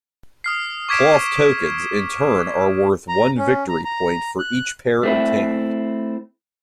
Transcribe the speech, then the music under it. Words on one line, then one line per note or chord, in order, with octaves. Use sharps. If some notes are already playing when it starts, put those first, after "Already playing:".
Cloth tokens, in turn, are worth one victory point for each pair obtained.
D#6 F6 C7
C#6 D6 G#6 B6 D7 E7
A#5
C#4
A#5
A#5
F#6
A3 C4 E4